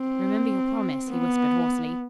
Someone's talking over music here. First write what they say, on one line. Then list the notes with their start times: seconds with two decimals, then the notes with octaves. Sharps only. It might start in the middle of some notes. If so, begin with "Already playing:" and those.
"Remember your promise," he whispered hoarsely.
Already playing: C4
1.10 B3